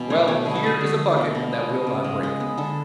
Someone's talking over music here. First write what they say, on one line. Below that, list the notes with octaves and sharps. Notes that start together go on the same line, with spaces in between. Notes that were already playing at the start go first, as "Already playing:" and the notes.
Well, here is a bucket that will not break.'
Already playing: B2 E3 B4
A3 C#5
B2 C#5
D3 G#4
F#4
A3 G#4
D3
A3
B2
B2
G#3
G#3
C#3
G#3
G#3
B3
D3 A4